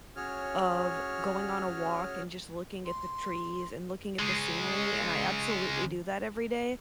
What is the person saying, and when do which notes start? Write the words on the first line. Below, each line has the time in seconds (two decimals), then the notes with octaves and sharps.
of going on a walk and just looking at the trees and looking at the scenery, and I absolutely do that every day.
0.16 C#4 F#4 G#4 C#5 F6
2.86 C6
4.19 C#3 G#3